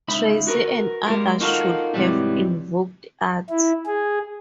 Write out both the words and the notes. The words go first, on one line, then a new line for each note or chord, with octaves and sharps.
Tracey and others should have invoked Art.
C#2 D#4 E5 B5
F#4 A#4 B4
G3 G#3 A#3 F#4 A#4
A#3 D#4 F4 F#4 A4 A#4
G#2 C3 D#3 E3 F#3 G3
E4
G#4